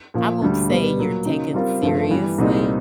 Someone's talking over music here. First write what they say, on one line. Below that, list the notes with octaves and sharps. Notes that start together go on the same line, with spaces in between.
I won't say you're taken seriously,
A#2 F3 A#3
D2 D3 G3
B2 G3 B3
A#2 F#3 A#3
C#3 F#3 A#3 D#4
G3 C4 F4 A#4
G2 D3 F3 A3
E3 G3 B3
C2 A#2 G3 C4 D#4